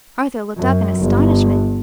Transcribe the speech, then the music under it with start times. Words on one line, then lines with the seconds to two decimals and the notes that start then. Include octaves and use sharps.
Arthur looked up in astonishment.
0.57 F#2
0.98 G1